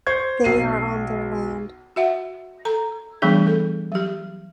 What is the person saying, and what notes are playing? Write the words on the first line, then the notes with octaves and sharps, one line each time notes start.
They are on their land.
C5 C#6 G#6
B1 C7 D#7
F#4 E5 F#5
A4 A#5
E3 G3 A3 B3 D4 G#4
A4
F#3 G4